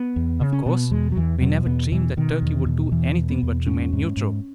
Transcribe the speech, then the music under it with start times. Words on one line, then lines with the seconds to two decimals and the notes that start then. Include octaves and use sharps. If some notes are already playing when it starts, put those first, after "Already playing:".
Of course, we never dreamed that Turkey would do anything but remain neutral.
Already playing: B3
0.16 E2
0.41 C#3
0.52 C#4
0.66 B2 B3
0.91 E2 G#3
1.12 F#3
1.16 E2 E3
1.41 B2 F#3
1.66 E2 B3
1.92 B2 E3
2.17 B2 D#3
2.42 E2
2.66 B2
2.92 E2 E3
3.17 B2
3.30 B3
3.43 E2
3.67 G#2 C#4
3.93 G#2
4.17 G#2